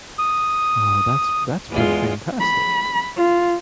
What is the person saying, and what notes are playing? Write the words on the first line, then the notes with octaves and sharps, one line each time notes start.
Oh, that's that's pretty fantastic.
D#6
E2 G#3 F4
B5
F4